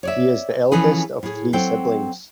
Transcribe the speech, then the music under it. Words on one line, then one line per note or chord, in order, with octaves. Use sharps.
He is the eldest of three siblings.
C#5 D5 E5
E3 F3 C#4 G#4 A4 B4
A2 G#4
F#3 C4 A4 G5